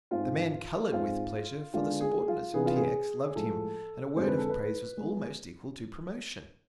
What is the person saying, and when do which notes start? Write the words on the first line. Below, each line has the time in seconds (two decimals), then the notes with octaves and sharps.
The man coloured with pleasure for the subordinates of T. X. loved him, and a word of praise was almost equal to promotion.
0.11 G#2 G#3 C4 F4
0.92 G#2 G#3 C4 F4
1.73 D3 G#3 B3 D4 F4
2.01 G#4
2.28 F4
2.54 C3 E3 B3 D4 G#4
2.66 F4
2.76 G#4
3.35 A2 F3 G#3 A4
4.16 F2 D3 G#3 C5
4.27 B4
4.38 A4
4.50 B4
4.97 G#3 B3